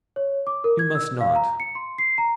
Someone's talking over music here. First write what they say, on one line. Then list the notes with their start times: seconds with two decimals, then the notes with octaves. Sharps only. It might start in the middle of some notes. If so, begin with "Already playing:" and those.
You must not.
0.16 C#5
0.47 D6
0.64 A#4
0.79 G#6
0.95 E6
1.21 F5
1.36 A#5
1.60 C#7
1.75 C6
1.98 C7
2.18 A#5